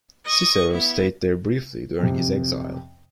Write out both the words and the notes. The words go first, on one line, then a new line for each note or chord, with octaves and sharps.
Cicero stayed there briefly during his exile.
D#5 C#6 D#6
B3 E4
F2 C3